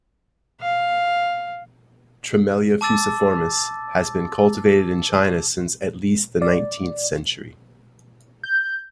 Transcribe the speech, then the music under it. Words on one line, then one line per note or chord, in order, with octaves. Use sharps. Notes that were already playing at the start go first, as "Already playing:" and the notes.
"Tremella fuciformis" has been cultivated in China since at least the nineteenth century.
F5
A5 D6 E6 A6
D5
G6